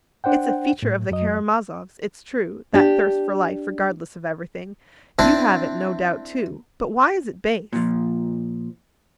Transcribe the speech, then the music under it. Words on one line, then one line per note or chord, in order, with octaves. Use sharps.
It's a feature of the Karamazovs, it's true, that thirst for life regardless of everything; you have it no doubt too, but why is it base?
D4 C5 F#5 G5
A2
F#2 F#3 D#5
D4 G4
C4 D4 E4 A5
A#2 F3